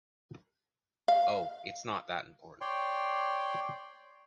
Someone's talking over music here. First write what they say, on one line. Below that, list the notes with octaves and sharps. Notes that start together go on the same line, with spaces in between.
Oh, it’s not that important.
F5
C#5 D5 G5 C6